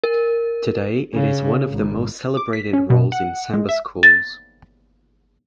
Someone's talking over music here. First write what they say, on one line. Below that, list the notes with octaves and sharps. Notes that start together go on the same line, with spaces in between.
Today it is one of the most celebrated roles in samba schools.
A#4
C#3
G#1
D6
B6
C#4
B2
F#5
G#3
E5
A6